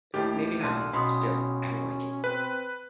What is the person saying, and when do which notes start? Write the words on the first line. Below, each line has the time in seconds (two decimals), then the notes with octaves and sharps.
Maybe not; still I don't like it.
0.14 D#2 A2 D#3 G4
0.60 B1 D4 C6 F6 D#7
0.93 B2 C#4 B5 C6 D#6
2.24 C4 B4